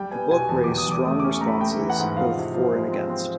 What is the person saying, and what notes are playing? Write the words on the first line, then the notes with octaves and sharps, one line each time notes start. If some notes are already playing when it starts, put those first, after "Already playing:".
The book raised strong responses, both for and against.
Already playing: G3 G5
B3 G#5
B2 G#5
E2 A5
E2 D6
D#6
G3 D6
A3 D#6
D6
C#4
C#6
A3 A#5
B5
A3 G5
E3
F#5
G#2
F3 F5
C3
F3
G#3
C4
C4